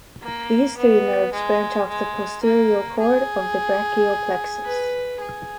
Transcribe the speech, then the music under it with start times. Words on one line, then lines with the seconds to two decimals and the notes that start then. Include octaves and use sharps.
These three nerves branch off the posterior cord of the brachial plexus.
0.22 A#3
0.77 B3
1.33 G#3
1.89 G#3
2.43 A#3
3.00 G#4
4.65 B4
5.21 G#4